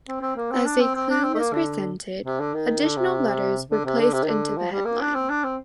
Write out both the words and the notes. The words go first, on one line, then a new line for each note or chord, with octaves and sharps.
As a clue was presented, additional letters were placed into the headline.
C4
C4
A#3
C4
D4
C4
C4
D4
C4
A3
A#3
D3
C3
D3
D#3
D3
C3
D3
C3
D3
C3
D#3
D3
F3
G3
A#3
D4
C4
D4
C4